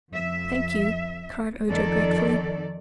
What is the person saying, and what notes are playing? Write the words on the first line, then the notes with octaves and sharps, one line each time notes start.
"Thank you!" cried Ojo gratefully.
F2 E5
F2 D#3 A4 D5